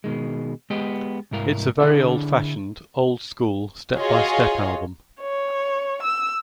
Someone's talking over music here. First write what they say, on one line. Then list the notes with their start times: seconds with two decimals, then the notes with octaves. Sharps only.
It's a very old-fashioned, old-school, step-by-step album.
0.04 B2 D#3 G#3
0.70 G#3 B3 G4 D#5
1.31 C2 G#2 E4 A#4 F5
1.80 D3 D4 E4 G#4 A4 E5
3.95 F4 F#4 G#4 C#5 D#5 F5
5.21 C#5
6.03 E6